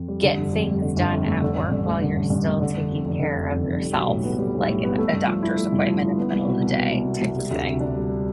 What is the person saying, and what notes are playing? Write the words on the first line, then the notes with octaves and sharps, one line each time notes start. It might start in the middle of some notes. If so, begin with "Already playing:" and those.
get things done at work while you're still taking care of yourself, like in a doctor's appointment in the middle of the day type of thing.
Already playing: F2
G3
D3
G1
F2
A3
D3
G1
F2
A3
D3
A1
G2
A3
D3
A1
G2
A3
D3
F1
F2
F1
D3
F1
F2
F1
G3
B1
A2
B3
G3
B1
A2
B3
A3
G2
F3
E4
A3
G2
F3
E4
B3
C2
B2
C2
B3
C2
B2
C2
G3
D2
C3
D4
G3